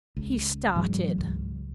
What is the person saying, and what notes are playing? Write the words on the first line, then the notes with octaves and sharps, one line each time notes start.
He started.
C#2
G#2 E3 F#3 G#3
C#2 G#2